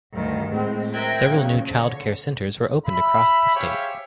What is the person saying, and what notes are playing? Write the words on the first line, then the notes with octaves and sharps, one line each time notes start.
Several new childcare centers were opened across the state.
D2 G2 D#3
A2 G#3 C4
A#4 C5 E5 G5 F#6 G#6
A#2 C#3 F3
D3 C#5
E5 B5
G4 G#4 C5 C#5 E5 F5